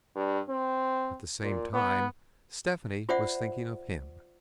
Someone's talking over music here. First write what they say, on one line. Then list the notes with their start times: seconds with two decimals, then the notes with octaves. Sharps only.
At the same time Stephanie was thinking of him.
0.16 G2
0.49 C4
1.42 A#2
1.73 B3
3.09 F4 C5 D5 E5 F#5